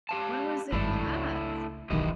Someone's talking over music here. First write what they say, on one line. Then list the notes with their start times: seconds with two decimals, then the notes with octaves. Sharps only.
when was it passed?
0.09 G4 F5 A5
0.72 G#1 G2 A3 D4 E4
1.06 C#2
1.90 D1 B1 D#3 E3 G4 D#5